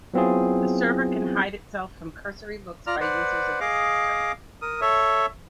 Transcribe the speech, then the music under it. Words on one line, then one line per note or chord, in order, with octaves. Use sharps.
The server can hide itself from cursory looks by users of the system.
F#3 B3 C4 E4 F4 G#4
F4 D5 A#5 F6
B4 C5 D5 F#5
G#4 D#5 F5 D6
A#4 D#6
A4 C#5 E5